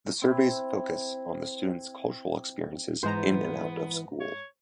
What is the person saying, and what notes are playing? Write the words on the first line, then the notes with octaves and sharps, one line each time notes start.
The surveys focus on the students' cultural experiences in and out of school.
C4 E4
G#2 E3 G#3 B3 C5 A#5
C#5